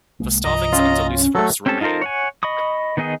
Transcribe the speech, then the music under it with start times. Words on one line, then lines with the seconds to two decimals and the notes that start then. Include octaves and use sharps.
The Starvelings under Luseferous remain.
0.20 C2 G#3 A#3
0.44 C2 G2 F3 D#5 A#5
0.73 C#4 F4
1.35 F#3 A3 A4
1.66 C4 C#4 G4 A4 A5
1.81 D#4 F4 A4 A#4 C5
2.02 C#5 F#5 G#5
2.43 D#5 B5 C#6 D#6
2.97 D#3 B3 D#4 G#4 D#5